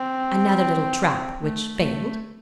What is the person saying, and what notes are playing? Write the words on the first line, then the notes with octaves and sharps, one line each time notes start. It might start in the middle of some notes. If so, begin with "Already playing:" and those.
Another little trap which failed.
Already playing: C4
A3
A3